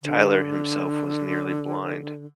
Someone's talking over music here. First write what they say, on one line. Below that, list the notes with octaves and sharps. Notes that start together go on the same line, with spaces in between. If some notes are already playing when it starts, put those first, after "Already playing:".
Tylor himself was nearly blind.
D3